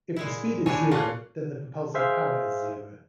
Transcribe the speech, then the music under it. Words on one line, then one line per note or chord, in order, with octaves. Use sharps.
If the speed is zero, then the propulsive power is zero.
A#2 G#3 E4
D#2 D4 E4 C#5 G#5
C#3 A#3 C#4 F4 A4 F#6
G#4 C5 E5 F5